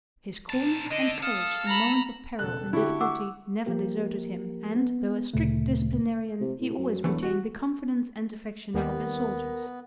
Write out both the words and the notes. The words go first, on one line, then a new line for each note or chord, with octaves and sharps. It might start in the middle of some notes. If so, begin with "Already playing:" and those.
His coolness and courage in moments of peril and difficulty never deserted him, and, though a strict disciplinarian, he always retained the confidence and affection of his soldiers.
A#2 A5
D3 D4 D#5
A4 F5 D#6
A#5 B5
E1 C#3 A4 F#6
D3 E4 F#4 G4 C#6
F#5 D6 E6
F3 A#3 G4 A#4
B3
D2 A#2 C#3 A3
C3
A2
F#2
E1 E3 F#3 A3
F#4
D#2 G3 B3 A#4